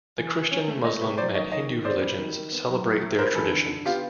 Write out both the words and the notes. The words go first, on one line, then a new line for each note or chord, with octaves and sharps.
The Christian, Muslim, and Hindu religions celebrate their traditions.
E3
E3
C#4
A3
A3 C#5 D#5
C3 B4 C#5
F#3 C5 D5
D#3 C#5 D#5
D#3 C#5 D#5
D#3
B3 C5 D5
G3
D#3
D#3
B3
F#3
A2
A2
G3 A#4 C5
E3 A4 B4
D3
D3
B3 F4 G4